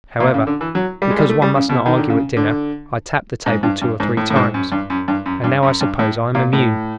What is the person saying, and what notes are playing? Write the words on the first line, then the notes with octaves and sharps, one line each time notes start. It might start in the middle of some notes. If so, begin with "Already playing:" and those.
However, because one must not argue at dinner I tapped the table two or three times... and now I suppose I am immune.
A#2
C#3
D3
E3
F#3
G3
G#3
G3
A3
G3
C#3
B2
D#3
D3
C#3
D3
G#2
G2
G2
G#2
A2
A2
G#2
F#2
G2
F#2
G2
F#2
G2
F#2
G2
A2
A#2
A2